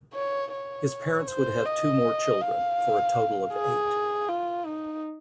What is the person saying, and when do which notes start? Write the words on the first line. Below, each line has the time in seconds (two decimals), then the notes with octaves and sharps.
His parents would have two more children, for a total of eight.
0.14 C#5
0.53 C#5
1.28 C5
1.65 D#5
2.41 F5
3.54 G#4
4.29 F4
4.66 D#4